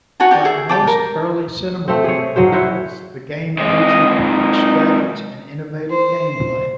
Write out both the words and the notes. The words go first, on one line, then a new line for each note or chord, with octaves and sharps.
Like most early Cinemaware titles, the game featured polished graphics and innovative gameplay.
F#4 C#5 G#5 A5
G4 D5 G#5
G#4 E5
G4 G5 A5 D6
A#4
A3 C4
G#4 C#5
F#3 G#4 C5
E4 F#4 C5 C#5
C3 G#3 D#5
D#4
C5